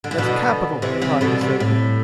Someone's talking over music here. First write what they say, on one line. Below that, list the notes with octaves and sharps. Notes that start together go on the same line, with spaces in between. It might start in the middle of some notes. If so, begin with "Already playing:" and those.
"That's capital!" cried the sailor.
D3
E3
B2 D3
C3 E3
C3 E3
B2 D3
C3
A2